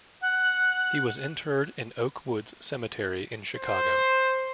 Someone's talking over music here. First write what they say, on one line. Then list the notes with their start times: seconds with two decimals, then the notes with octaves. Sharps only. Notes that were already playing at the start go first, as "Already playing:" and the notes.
He was interred in Oak Woods Cemetery in Chicago.
0.21 F#5
3.56 C5